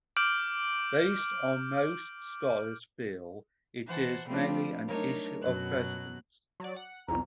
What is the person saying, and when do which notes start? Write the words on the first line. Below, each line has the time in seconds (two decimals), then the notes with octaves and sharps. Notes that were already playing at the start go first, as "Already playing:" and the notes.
Based on most scholars feel it is mainly an issue of precedence.
0.17 D6 F6 G6 D7 F#7
3.86 E3 C5 F#5 A5
4.26 F3 G3 A3 C4 D4 F4
4.87 F#3 A3 D4 D#4 A#4 C#5
5.41 F#2 B2 F#3 F#6
6.60 F#3 D5
6.76 F#5
7.08 C2 F2 A#5